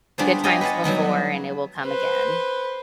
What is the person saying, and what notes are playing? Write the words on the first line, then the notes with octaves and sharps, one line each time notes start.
good times before, and it will come again.
G3 B3 D4 F4 G#4 C5
B3 G4 C#5 D#5 G#5
B4 F5 F#5 G#5 A5
F#3 G3 B3 D#4
B4 C5